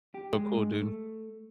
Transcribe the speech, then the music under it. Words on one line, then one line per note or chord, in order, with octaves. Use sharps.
Oh, cool, dude.
G4
G#3
A3